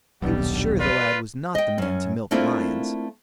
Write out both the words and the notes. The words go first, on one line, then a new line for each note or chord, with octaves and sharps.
He was sure the lad was not the man to milk lions.
D#1 B1 G3 B3 D4
F4 B4 D5
D#5 G5
F#2 C#4
A3 A#3 C4 D4 E4 F4